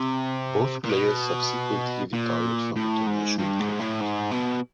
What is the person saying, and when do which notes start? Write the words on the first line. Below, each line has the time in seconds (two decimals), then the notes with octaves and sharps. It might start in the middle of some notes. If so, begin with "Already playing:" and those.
Both players subsequently retired from international cricket.
Already playing: C3
0.84 A#2
0.89 B2
2.13 A#2
2.76 A2
3.06 G#2
3.38 G2
3.60 G#2
3.79 A2
4.00 G#2
4.31 B2